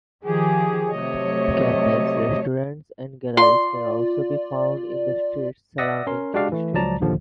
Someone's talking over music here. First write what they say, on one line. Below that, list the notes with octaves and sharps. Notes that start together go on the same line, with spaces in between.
Cafes, restaurants and galleries can also be found in the streets surrounding King Street.
D#3 F3 G4 G#4
C3 F#3 A3 C#5 D#5
F4 D5 C6
D5 E5 F#5 D#6 E6 A#6
C#4 A#4 C6
G#3 D4 F#4 G4 D5 F5
E3 A3
C#2 F3 F#3 D5 A5 A#5
A#1 D#2 D3 F3